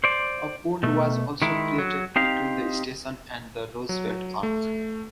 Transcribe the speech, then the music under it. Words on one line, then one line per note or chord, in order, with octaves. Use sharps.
A pond was also created between the station and the Roosevelt Arch.
C5 D5
B2 A3
D#3 G#3 E4
F#3
C4 D#4 G4 F5
F#3
A3